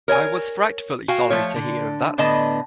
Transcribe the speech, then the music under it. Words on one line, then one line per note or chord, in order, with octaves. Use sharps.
I was frightfully sorry to hear of that.
A#4 C#5 D5 G#5
F#4 F5 G5 G#5
F3 A3 C#5
D3
A2 D3 B3 D#5 A5